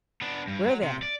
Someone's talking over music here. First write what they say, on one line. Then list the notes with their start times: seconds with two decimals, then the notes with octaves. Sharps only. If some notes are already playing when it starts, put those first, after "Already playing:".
Where then?
0.21 B3 D4
0.48 G2
0.66 F#3
0.83 C3
1.02 D5